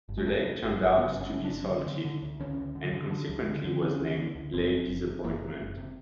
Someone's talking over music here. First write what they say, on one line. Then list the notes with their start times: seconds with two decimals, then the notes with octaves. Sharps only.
The lake turned out to be salted, and consequently was named Lake Disappointment.
0.09 G1
0.18 G#3
0.27 F2 A3
0.44 F2
0.63 G1
0.80 G1
0.97 C#3 B3
1.15 G1
1.21 C#4
1.34 C#3
1.45 D4
1.51 G1
1.69 D3
1.86 D3
2.05 D3
2.22 D2
2.40 D2 C#4
2.57 D2
2.75 D3
2.93 D3
3.10 D3 D4
3.29 D2
3.47 D3
3.65 D3
3.82 D3 C#4
4.00 D2
4.18 D3
4.35 D2
4.53 F#1 C4
4.71 C3
4.88 F#1
5.06 C3
5.24 F#1 A#3
5.42 C3
5.60 F#1
5.77 C3